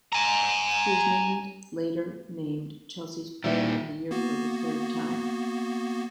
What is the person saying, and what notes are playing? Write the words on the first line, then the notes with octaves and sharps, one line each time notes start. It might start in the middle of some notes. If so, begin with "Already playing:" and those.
He was named later named Chelsea's Player of the Year for the third time.
G#5 A#5
A#2 D#3 G3 D5 E5
A#3 B3 F#4